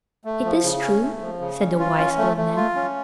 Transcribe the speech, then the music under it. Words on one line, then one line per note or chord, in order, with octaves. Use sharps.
"It is true," said the wise old man.
A3
F3
C#3
C#4
A3
F3
C#3
C#4
F4
C#4
A3
A3
F4
C#4